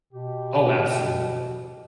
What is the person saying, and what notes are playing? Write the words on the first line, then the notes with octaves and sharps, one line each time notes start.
Oh, absolutely.
B2 G4